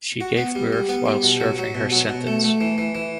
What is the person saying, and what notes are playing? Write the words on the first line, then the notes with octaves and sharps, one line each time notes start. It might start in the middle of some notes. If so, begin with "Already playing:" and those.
She gave birth while serving her sentence.
F#4
B3
G3
G3
B3
G3
B2
F#3
F#3
B2
F#3
B2
A3
A3
E3
E3
E3